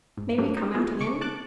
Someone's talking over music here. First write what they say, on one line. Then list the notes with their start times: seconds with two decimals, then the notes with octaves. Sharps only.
May we come out again?
0.17 G#2
0.38 F#3 G3 A3 A#3 D4
0.57 D#4
0.74 E3 G3 B3 F4 G#4
1.00 C#3 C#6 D6
1.21 A5 D6 F#6